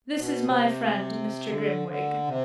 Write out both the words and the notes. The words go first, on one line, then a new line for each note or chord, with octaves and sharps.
'This is my friend, Mr. Grimwig.
B2
C3
D3
D3
C3